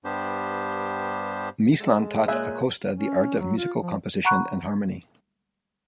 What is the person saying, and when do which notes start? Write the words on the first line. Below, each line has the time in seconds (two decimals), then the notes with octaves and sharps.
Mislan taught Acosta the art of musical composition and harmony.
0.05 G2 G3 B3 D4 G4 C5
1.80 G#3 A4
2.28 A#2 G#4 C#5 E5 F#6 G6
2.93 C#4
3.39 F#3
3.58 F4
3.80 F3
4.25 F#5 A#5 B5 C#6 F#6